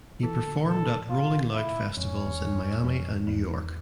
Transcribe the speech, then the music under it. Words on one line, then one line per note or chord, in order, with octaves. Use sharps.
He performed at Rolling Loud Festivals in Miami and New York.
E3 A4
D3
A#2 A4
A2
F4
E4
F2 C#4
E2
F2
F2
E2